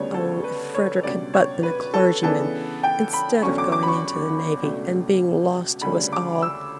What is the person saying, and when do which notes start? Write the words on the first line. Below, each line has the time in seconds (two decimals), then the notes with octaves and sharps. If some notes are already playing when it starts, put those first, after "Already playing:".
'Oh! if Frederick had but been a clergyman, instead of going into the navy, and being lost to us all!
Already playing: D2 C#3 G3 B3 C#5
0.14 A4
0.44 B4
0.74 C#5
1.03 C#2 B2 G3 D4 D5
1.34 C#5
1.63 B4
1.94 A4
2.23 C#3 E3 B3 D4 A4
2.83 G5
3.13 B5
3.42 E2 D3 F#3 C#4 C#6
3.58 D6
3.72 D6
3.83 B5
3.88 C#6
4.62 C#2 B2 A3 D4
5.81 D2 C#3 G3 B5
6.12 D6
6.42 E6